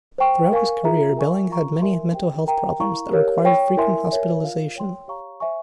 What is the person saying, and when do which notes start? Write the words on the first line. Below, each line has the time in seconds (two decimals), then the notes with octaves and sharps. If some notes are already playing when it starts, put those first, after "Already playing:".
Throughout his career Belling had many mental health problems that required frequent hospitalisation.
0.18 C5 G5 C#6
0.52 A#4 F5 G#5 C#6
0.84 F4 G#4 E5 A#5
1.17 A#4 E5 G#5 C#6
1.50 F4 A#4 F5 A#5 C#6
1.82 E4 A#4 E5 G#5 C6
2.14 G4 C5 G5
2.47 A#4 E5 G5 A#5
2.80 E4 A#4 F5 A#5 C#6
3.12 G4 A#4 C#5 F5
3.45 C#5 G5 C#6
3.77 E4 A#4 E5 G#5 C6
4.10 A#4 C#5 E5 G#5
4.43 F4 A#4 F5
4.76 C#5 G5 C6
5.08 G4 C#5 F5 A#5 C#6
5.40 C5 E5 G#5 C#6